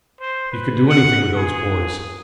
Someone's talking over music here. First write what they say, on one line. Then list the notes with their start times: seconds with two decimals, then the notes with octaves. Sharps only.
'You could do anything with those boys.
0.20 C5
0.51 B4
0.88 F#5
1.36 G#4